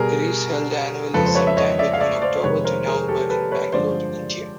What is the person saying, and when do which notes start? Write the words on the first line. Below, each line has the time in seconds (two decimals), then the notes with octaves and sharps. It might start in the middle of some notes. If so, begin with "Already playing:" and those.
It is held annually sometime between October to November in Bangalore, India.
Already playing: B2 G3 G#4 A#4
1.13 F2 C#3 F3 G#3 A4 B4
1.26 C5
1.35 B4 C#5
1.47 E5
1.57 C#5 D#5
1.79 D5 E5
1.93 F5
2.00 D5 E5
2.22 C5 D5
2.43 F2 C3 D#3 G#3 B4 C#5
2.64 A#4 C5
2.86 G#4 A#4
3.08 G4 A4
3.30 A4 B4
3.52 B4 C#5
3.73 G2 D3 F3 G#3 C5 D5